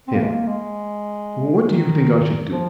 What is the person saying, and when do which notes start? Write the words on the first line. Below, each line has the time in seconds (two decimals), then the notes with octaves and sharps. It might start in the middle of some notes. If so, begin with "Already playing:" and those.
HIM: What do you think I should do?
0.08 C4
0.14 A#3
0.22 G#3
0.30 A#3
0.47 G#3
1.70 D#3
2.51 F3